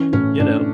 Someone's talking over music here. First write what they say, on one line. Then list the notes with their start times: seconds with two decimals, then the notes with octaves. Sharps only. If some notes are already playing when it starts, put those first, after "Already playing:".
You know?
Already playing: E3 C#4
0.13 A2 C#4
0.40 A2 D4